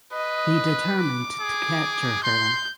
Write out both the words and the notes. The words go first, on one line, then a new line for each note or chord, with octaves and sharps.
He determined to capture her.
B4 D#5
D6
G#4
C6 G6